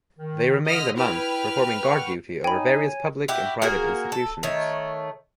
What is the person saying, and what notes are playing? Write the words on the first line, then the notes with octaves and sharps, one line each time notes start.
They remained a month performing guard duty over various public and private institutions.
D#3
D3 D#5 F6 B6
E4 B4 G5 F6
F#5 C#6
D#4 C#5 G5 G#5 B5
E4 F#4 G4
A#3 F#4 G#4 A#4
A4
D#3 A3 C#5